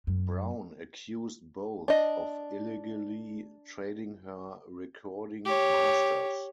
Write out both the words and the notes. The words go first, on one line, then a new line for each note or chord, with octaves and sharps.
Brown accused both of illegally trading her recording masters.
F#2
D4 D#5
G4 C#5